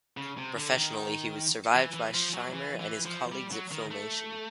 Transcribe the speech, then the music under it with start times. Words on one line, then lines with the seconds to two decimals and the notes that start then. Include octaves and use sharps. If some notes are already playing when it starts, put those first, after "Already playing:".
Professionally, he was survived by Scheimer and his colleagues at Filmation.
0.17 C#3
0.38 C3
0.56 D3
0.77 D#3
1.75 E3
1.94 E3
2.14 F3
2.34 F#3
2.53 E3
2.80 E3
3.05 F3
3.32 G3
3.52 F#3
3.71 D#3
3.91 A3